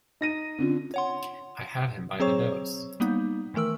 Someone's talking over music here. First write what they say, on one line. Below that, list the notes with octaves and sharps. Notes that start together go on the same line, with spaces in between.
I have him by the nose!
D#4 A#6 D#7
D3 C4 C#4 F4
C#5 F#5 C6
F#3 C4 G#4 C5 C#5 C#6
G3 A#3 B3 D#4
D#3 E3 A3 A#4 E6